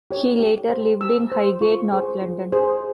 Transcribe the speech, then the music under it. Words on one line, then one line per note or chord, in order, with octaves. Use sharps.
He later lived in Highgate, north London.
G4 C#5
G4
C5
G4 E6
C5
F4 C#6
G#4 C5
F4
G#4 C5